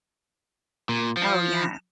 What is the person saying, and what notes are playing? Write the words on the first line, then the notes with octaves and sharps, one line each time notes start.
Oh, yeah.
A#2
F3